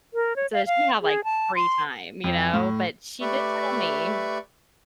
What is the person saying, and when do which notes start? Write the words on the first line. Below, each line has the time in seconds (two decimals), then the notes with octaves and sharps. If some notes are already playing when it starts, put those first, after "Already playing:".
So, she had, like, free time, you know? But she did tell me
0.14 A#4
0.36 C#5
0.53 F5
0.66 F5
1.02 G#4
1.24 A5
1.55 C6
2.24 F2
2.53 A2
3.21 A3 G4 B4 D5 E5 C#6